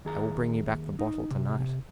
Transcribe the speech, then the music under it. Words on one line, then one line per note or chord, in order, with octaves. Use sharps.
"I will bring you back the bottle to-night."
D#2 G#4 A#5
D#4
C3